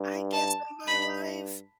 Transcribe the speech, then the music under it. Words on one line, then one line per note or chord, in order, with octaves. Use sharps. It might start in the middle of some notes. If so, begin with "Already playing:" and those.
I guess, in my life,
Already playing: G2
A5
G2 B5